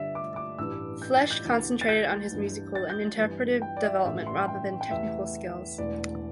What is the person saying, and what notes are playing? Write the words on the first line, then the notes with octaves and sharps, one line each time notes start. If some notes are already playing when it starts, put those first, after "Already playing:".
Flesch concentrated on his musical and interpretative development rather than technical skills.
Already playing: G1 G2 D3 G3 D5 E5
D6
D6
A1 G2 E3 E6
G6
A6
G6
D2 C3 E3
A6
G6
G1 G2 E3
A6
G6
G1 G2 E3
G5
D5
E5
A1 G2 E3 A3 E5
C6
G5
G5
E2 C3 A3 E5
E1 E2 E3 A3 D5